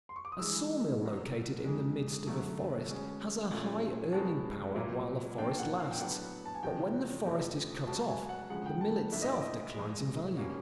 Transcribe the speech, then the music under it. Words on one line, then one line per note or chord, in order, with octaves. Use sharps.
A sawmill located in the midst of a forest has a high-earning power while the forest lasts, but when the forest is cut off the mill itself declines in value.
C6
C#6
D6
D#6
G2 E3 G#3 E6
C2 B2 F#3
F2 C3 D#3 G#3
F#2 D3 F#3 A3
B2 G#3 C#4
A#2 F#3 A3 C#4
C#2 B2 G#3 C4 A5
A#2 F#3 A#3
A#2 F3 A#3 D4 G5
F#5
F5
G5
A2 F#3 B3 D4 F#5
A5
G#5
E2 C3 F3 G5
F2 C3 F3 A3 C4
C#2 B2 F#3 A5
G#5
F#5
D2 C#3 F3 G#3 F#5
G5
A5
A5
A2 F3 A#3 D4 E5
D#5
D5
D#5
A#2 F3 G#3
B2 G3 A#3 C#4